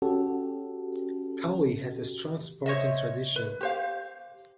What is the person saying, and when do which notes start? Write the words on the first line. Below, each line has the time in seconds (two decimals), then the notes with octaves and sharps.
Cowley has a strong sporting tradition.
0.02 C#4 F#4 G4 A4
2.66 C5 C#5 D#5 E5
3.36 B4
3.61 G4 C5 F5